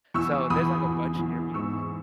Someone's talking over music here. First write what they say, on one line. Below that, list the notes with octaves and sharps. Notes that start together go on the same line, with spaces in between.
so, there's, like, a bunch near me,
E2 C#6 E6
E2 B5 D#6
E2
E2
G#2 C#6 E6